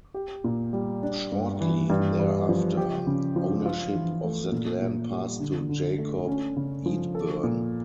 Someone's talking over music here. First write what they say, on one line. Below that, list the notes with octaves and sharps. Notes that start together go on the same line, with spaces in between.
Shortly thereafter, ownership of that land passed to Jacob Edeburn.
G4
A#2
G3
D4
G2
E3
G2
G2
F3
G4
C#3
F3
F4
E3
A3
A#2
A#2
G3
D3
D3
A3
C#4
C#3
F3
A4
A#2